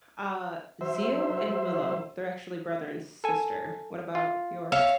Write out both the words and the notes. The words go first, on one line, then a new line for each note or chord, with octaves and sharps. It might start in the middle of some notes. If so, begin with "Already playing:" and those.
Uh, Zeo and Willow- they're actually brother and sister. What about yours?
F#3 C5 E5
A4 G#5
F4
C#5 E5 F5